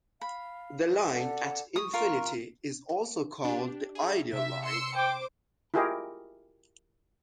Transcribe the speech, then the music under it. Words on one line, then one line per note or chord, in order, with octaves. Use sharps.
The line at infinity is also called the ideal line.
F5 B5
A4 D5 F#5
C#6 D#6
F4 A#4
D4 G4
G#4 E5
C3 E5
C6 E6 C#7
C5 G5 D6
E4 F4 G4 G#4 A#4 D#5